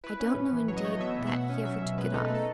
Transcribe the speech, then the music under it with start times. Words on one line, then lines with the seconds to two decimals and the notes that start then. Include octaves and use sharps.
I don't know indeed, that he ever took it off.
0.04 E4 B4
0.20 C#4
0.36 A2
0.52 E3
0.68 F#3 C#5
0.76 D#5
0.84 A3 C#5
0.93 D#5
1.00 B3 E5
1.17 B2
1.27 E5
1.33 B2 F#5
1.49 C#4
1.65 F#3 E5
1.81 B2
1.98 G#3 B4
2.14 D#4 A4
2.24 B4
2.29 A3 A4